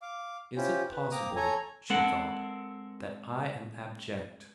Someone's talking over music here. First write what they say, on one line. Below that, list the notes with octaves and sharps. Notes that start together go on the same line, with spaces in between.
'Is it possible,' she thought, 'that I am abject?'
F5 D6
C#4 E4 F4 G4 C5
B4
A#3 C4 A#5 D6 D#6
A4 C#5 G#5 A#5
G#3 C4 A4 A#4 F#5